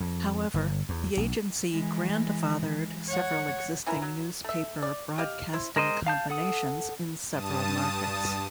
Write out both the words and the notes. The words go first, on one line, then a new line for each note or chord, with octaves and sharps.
However, the agency "grandfathered" several existing newspaper-broadcasting combinations in several markets.
F2
G1
E2
B1
E3 G#3
C#5 F#5
E3 C#4 E4 A#4
F#3
A3 E5
D5
G4 D#5 F5
E4 C5
G#3 A#4 C5 D#5
F5 A5 G6
A4 F#5 D#6
G2 A5 D#6